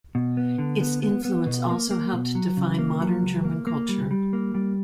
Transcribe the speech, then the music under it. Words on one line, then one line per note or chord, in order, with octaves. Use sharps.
Its influence also helped define modern German culture.
B2
B3
D3
B3
B3
B3
B2
A#3
A#3
B2
F#3
C#3
A#3
F#3
C#2
A#3
A#3
G3
G3
A#3
G3